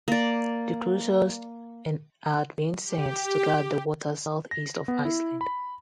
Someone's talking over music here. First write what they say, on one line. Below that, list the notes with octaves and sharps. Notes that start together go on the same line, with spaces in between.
The cruisers and had been sent to guard the waters south-east of Iceland.
A#3 D5
G4
A#6
B3
E4
B5